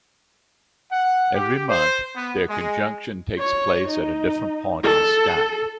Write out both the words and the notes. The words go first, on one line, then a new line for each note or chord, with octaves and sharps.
Every month their conjunction takes place at a different point in the sky.
F#5
G4
C5
B3
G#3
C#5
D#4
A4